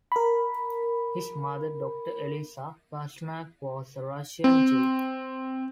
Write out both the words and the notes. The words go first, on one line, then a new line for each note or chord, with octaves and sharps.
His mother Doctor Eliza Pasternak was a Russian Jew.
A#4 B5
C4